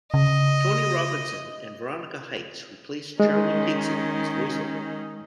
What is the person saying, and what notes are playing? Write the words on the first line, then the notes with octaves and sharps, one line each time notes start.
Tony Robinson and Veronika Hyks replaced Charlie Higson as voiceover.
C#3 D#5
D#3 G#3 C#4